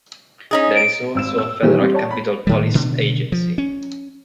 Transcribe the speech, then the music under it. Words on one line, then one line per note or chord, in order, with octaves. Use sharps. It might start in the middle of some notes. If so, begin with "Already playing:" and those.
There is also a federal capitol police agency.
C#4 D#4 G#4
D7
G#1 E6 E7
E6
A#2 D#3 E3 G3 G4
G3 C4 G4
C#5 D5 A5
B5
A2 D#3 G3
B2 D3 D#3
F3
C#4